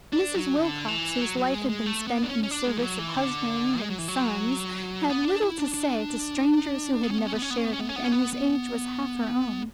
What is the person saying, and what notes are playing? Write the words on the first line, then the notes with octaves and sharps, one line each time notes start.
Mrs. Wilcox, whose life had been spent in the service of husband and sons, had little to say to strangers who had never shared it, and whose age was half her own.
D4
F#3
D3
E3
F#3
F#3
G#3
G#3
A3
B3
D4
C#4
C#4
D4
G#3
E3
F#3
E3
D3
G#3
F#3
E3
F#3
B3
D4
E4
D4
D4
B3
C#4
B3
C#4
B3
C#4
B3
C#4
B3
C#4
B3
C#4
B3
C#4
B3
B3